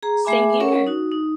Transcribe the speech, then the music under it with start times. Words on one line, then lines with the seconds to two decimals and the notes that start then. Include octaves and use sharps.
Same here.
0.03 G#4 A#5
0.25 A3 G#4 E5 G#5 B5 D6
0.60 C#4 A#4 C#5 F#5 C#6
0.87 D#4 F#4
1.12 D#4